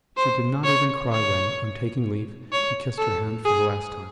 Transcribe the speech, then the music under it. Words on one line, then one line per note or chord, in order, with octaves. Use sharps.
She did not even cry when, on taking leave, he kissed her hand for the last time.
C5
C#5
C#5
C#5
A4
G#4